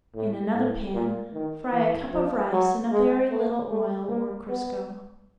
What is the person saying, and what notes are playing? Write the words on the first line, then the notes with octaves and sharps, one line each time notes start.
In another pan fry a cup of rice in a very little oil or crisco.
A2
A2
A#2
D#3
E3
F3
F#3
G#3
A3
A3
A#3
B3